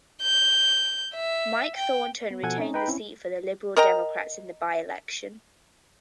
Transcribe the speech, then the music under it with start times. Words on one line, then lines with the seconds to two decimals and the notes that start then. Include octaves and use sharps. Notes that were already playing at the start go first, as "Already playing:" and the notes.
Mike Thornton retained the seat for the Liberal Democrats in the by-election.
0.22 G6
1.15 E5
1.76 G5
2.31 B3
2.43 B2 F3 A4 F#5 G#5 G#6
2.58 C4 C#4 D#4
2.74 D#4 B4 G5 B5
2.88 C4 C#4 E4
3.76 A#4 D#5 G5 A#5